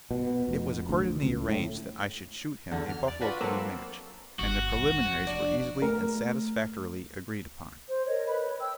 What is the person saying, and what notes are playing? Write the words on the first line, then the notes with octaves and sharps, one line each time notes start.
It was accordingly arranged that I should shoot him a buffalo-killing match, and the preliminaries were easily and satisfactorily agreed upon.
B2
F1
D2
C#2
A2
E2 D3 F#4
F6
D5
D4 F4 F#4 B4
F#3 A#3 C4 D4 A4
G1 F#4
F1 F3
D4
A3 A#4
C5
A#4 C#5 D#5
B4 B5
C#5
G5 E6